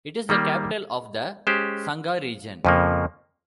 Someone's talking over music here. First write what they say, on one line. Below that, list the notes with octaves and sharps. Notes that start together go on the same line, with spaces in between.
It is the capital of the Sangha Region.
D#3 G3 A#3
G#3 C#4 G4 C5
F2 C#3 F3 A#3